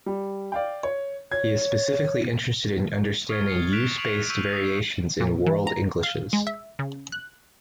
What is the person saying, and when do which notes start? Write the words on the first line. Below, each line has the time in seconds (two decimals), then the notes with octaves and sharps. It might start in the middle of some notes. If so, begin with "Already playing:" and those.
He is specifically interested in understanding 'use' based variations in World Englishes.
0.06 G3
0.52 D5 F5 G5
0.83 C#5
1.32 C#5 G#6
3.29 C#6 D#6 F6 G#6 A6
3.47 F6 C7 C#7
3.72 F6 F#6 B6 D7 E7 F7
3.98 C#6 D7 F7 F#7
4.30 C#6 E6 G6 B6 D#7
4.53 D#6 C7
5.20 A#2
5.46 E3
5.67 A#5
6.03 F5
6.33 G#3
6.47 E5
6.79 C#3
7.12 F#6